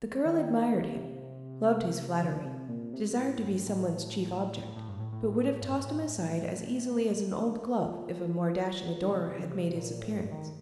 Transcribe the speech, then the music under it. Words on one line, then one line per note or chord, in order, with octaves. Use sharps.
The girl admired him, loved his flattery, desired to be some one's chief object, but would have tossed him aside as easily as an old glove if a more dashing adorer had made his appearance.
D#3
C3
D3
C3
A#2
C3
A2
G2
A2
A2
A2
G2
A2
A2
G2
A2
A#2
D3
F3
D#3
A#2
C3
C3
D3
C3
A#2
A2
G2
D#3